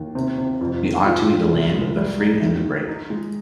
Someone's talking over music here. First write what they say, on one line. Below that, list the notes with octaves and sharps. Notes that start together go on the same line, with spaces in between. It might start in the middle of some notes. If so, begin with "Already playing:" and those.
We ought to be the land of the free and the brave.
Already playing: D#2
C3
C3
F2
D#3
F4
F4
C2
G#3
G3
D#4
D#3
D#3
D#4
G#3